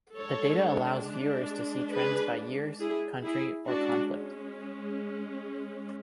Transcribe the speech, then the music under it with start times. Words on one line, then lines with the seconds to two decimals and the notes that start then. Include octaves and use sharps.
The data allows viewers to see trends by years, country, or conflict.
0.17 G#3 D4 A4 C#5
1.93 G#4 B4
2.80 E4 G#4
3.24 E4 G#4
3.68 G#3 C#4 D4 F#4